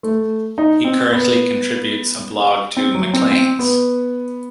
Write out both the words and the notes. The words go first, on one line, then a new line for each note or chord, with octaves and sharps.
He currently contributes a blog to "Macleans".
A3
D#4
C4
B3
C4
F#3
C4
C4
B3